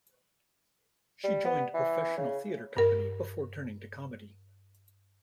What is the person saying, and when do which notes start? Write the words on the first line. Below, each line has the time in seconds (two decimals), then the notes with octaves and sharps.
She joined a professional theatre company before turning to comedy.
1.24 G3
1.45 B3
1.74 E3
2.17 C#3
2.77 G2 A#4